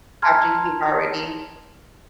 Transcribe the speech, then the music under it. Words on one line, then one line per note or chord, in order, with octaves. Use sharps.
After you've already
A5 A#5 C6 F6 G#6